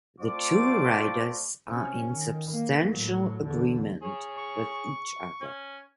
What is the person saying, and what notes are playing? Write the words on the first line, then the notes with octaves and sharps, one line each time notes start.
The two writers are in substantial agreement with each other.
A3 C4 F4 C5 D5 D6
C3 C#4
D#3
A#3
A2 F#3
E2 D3
G#4 C#5
C#6
C#4